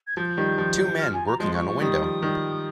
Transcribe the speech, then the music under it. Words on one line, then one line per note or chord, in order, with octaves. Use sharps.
Two men working on a window.
G#6
F3 G6
D#3 G3
F3
F6
G#5
A#5
F3 G#3 C6
C#6
C#6
D#3 G3 D#6
F3
D#3 G3